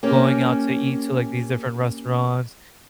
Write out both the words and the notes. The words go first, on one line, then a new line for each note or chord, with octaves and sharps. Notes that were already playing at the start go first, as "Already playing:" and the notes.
going out to eat to, like, these different restaurants,
A#3 C#4 G4